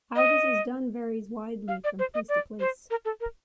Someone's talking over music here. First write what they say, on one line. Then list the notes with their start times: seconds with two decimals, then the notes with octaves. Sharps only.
How this is done varies widely from place to place.
0.16 D#5
1.68 F5
1.84 D5
1.99 C5
2.14 D#5
2.29 D5
2.60 C5
2.90 A#4
3.05 A4
3.21 A#4